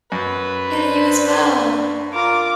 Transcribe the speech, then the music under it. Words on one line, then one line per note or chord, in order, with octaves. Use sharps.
Yeah, you as well.
F#2 B4
D4 C5
F4 A#4 D6